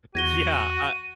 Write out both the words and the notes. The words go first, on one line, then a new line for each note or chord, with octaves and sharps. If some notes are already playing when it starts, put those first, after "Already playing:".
Yeah, I
E2 F#4 G#6 A#6 D#7 G7